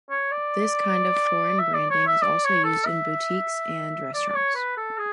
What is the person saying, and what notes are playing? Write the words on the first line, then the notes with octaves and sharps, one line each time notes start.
This kind of foreign branding is also used in boutiques and restaurants.
C#5
D5
E5
D5
C#5
E5
D5
C#5
A4
E5
D5
D5
C#5
B4
A4
G#4